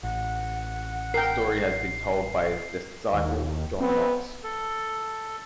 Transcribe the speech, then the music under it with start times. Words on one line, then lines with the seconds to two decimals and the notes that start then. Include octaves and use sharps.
The story has been told by his disciple John Knox.
0.03 A1 F#5
1.14 A#4 G5 C7
3.13 D#2
3.80 B3 C4
4.43 A4